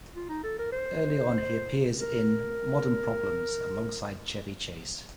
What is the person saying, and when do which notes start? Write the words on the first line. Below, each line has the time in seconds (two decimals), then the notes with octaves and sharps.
Early on, he appeared in "Modern Problems" alongside Chevy Chase.
0.16 F4
0.29 D#4
0.43 A4
0.59 A#4
0.72 C5
2.00 A#4